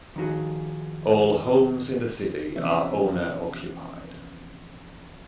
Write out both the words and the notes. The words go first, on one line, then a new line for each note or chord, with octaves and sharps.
All homes in the city are owner occupied.
D#3 F3 D#4 F#4 G#4
C3 E3 F3 B3 C#4 E5